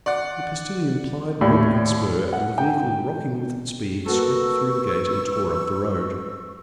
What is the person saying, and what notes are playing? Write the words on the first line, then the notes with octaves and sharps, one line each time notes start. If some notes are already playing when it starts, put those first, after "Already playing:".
The postillion plied whip and spur, and the vehicle, rocking with its speed, swept through the gate and tore up the road.
D5 F#5
D#2 A2 G4 D5
F#5
G5
A#3 F#4 A4 B4 C#6 E6